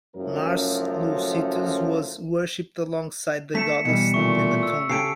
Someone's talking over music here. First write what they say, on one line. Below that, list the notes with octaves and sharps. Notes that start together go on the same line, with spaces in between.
Mars Loucetius was worshipped alongside the goddess Nemetona.
F#1 F#2 F3 A3 A#4
A3 B6 C#7 E7
B2 E3 G3 C#7
A#2 A3 C#6
E6
C#3 G4 A4 C7 D7